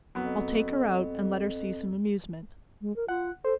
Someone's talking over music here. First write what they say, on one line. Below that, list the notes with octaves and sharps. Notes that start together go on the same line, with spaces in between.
I'll take her out and let her see some amusement.
F2 F#3 B3
G#3
A#4
F4 F#5
A4 C5